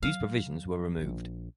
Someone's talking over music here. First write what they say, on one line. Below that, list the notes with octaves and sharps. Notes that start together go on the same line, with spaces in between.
These provisions were removed.
F#3 F5
A#1